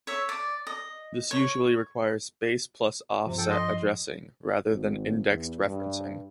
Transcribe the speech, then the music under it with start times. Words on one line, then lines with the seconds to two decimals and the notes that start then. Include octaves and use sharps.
This usually requires "base plus offset" addressing, rather than indexed referencing.
0.07 C#5 E5
0.29 D5
0.67 D#5
1.31 C#5
3.26 G2 C3 F3
3.38 A4 G5
3.51 D#5 C6
4.69 G#1
5.30 E2
5.66 G2